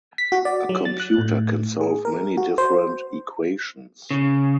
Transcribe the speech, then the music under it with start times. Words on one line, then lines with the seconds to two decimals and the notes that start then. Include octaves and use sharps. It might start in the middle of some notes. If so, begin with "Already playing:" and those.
A computer can solve many different equations.
0.18 B6
0.32 F#4
0.45 D5
0.69 F#3
0.85 A6
1.00 F#6
1.18 A2
1.81 G#4
2.05 A#4
2.37 F#4
2.58 C5
4.10 C#3